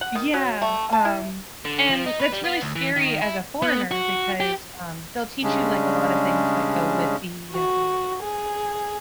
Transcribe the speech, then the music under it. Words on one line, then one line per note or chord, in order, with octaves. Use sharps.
Yeah, um, and that's really scary as a foreigner because, um, they'll teach you, like, a lotta things that go with the, um,
F#5
D#3
F#3
A3
A5
E4
D3
F3
D#4
B4
G3
B3
D2
E3
D#3
E4
B3
F#4
G4
C#3 G3 G#3 C#4 D4
F#4
G#4